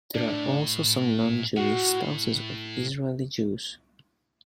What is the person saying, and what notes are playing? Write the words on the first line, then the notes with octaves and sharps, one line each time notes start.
There are also some non-Jewish spouses of Israeli Jews.
A2 D4
A2 F#4